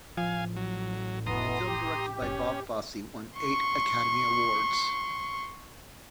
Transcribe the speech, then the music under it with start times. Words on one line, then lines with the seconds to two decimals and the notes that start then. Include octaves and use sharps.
The film, directed by Bob Fosse, won eight Academy Awards.
0.17 A1 F3 F5 G#5
0.56 F#3
1.26 F1 B2 E3 B3 A#5 C6 D#6
1.66 G4
2.22 F#1 C#4
3.38 C6 C#6